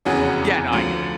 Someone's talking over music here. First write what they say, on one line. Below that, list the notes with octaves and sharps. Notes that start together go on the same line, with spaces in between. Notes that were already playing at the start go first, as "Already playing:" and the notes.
Yeah, no, I get it.
F1 E2 C#3 E3 F#4 G#4
D2 D3 F3